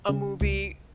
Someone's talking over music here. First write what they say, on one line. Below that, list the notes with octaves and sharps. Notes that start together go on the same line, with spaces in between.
a movie
C#3
C#2